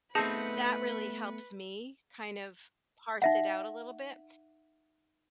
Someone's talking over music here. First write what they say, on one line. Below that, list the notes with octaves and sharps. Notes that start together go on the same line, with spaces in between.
that really helps me kind of parse it out a little bit,
A3 B3 C4 D#4 G#4 B4 A5
D#4 E5 F#5